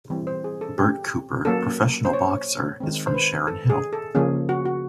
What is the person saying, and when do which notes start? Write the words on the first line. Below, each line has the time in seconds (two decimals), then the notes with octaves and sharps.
Bert Cooper, professional boxer, is from Sharon Hill.
0.10 E3 G3 C4
0.27 C5
0.44 G#4
0.61 A4
0.78 G4
1.45 F#3 A#3 C#4 A4
2.05 C5
2.13 C#5
2.80 D#3 G#3 C4
3.07 C5
3.14 B4
3.47 A4
3.70 G#4
3.93 A4
4.15 C#3 F3 A#3 C#4 G#4
4.49 F#4
4.65 F#4